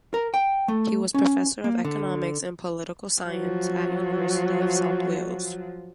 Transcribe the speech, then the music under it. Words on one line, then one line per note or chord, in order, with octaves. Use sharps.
He was professor of economics and political science at University of South Wales.
A#4
G5
A3
C#4
A#3
D3
F3 F#3